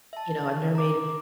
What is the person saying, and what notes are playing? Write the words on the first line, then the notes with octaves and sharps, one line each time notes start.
you know, I've never made
E5 A5
A#5 D6